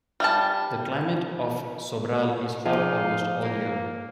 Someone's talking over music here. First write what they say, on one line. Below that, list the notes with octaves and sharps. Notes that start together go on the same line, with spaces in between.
The climate of Sobral is hot almost all year.
G3 F5 A5
F3 D#4 F4 G#4 D5 F5
A#3